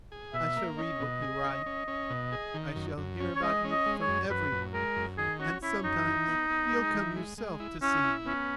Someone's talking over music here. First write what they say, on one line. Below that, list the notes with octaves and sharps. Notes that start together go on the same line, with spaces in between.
I shall read what you write, I shall hear about you from everyone, and sometimes you'll come yourself to see me.
G#4
B2 E5
A#3
C#4 D#5
B2
G#4
C#4
C#4
C#4
B2
G#4
D#3
F#2
F#2
C#4
C#5
G#3 D#5
C#4
D#5
G#3
C#5
F#2
F#2 B4
F#2
G#3 A#4
F#2
D#3 G#4
C#4 F#4
C#4 E4
F#2 D#4
E3
B3
B3
G#3
E3
G#3
G#3
E4
C#4 E4
E4
B3 C#4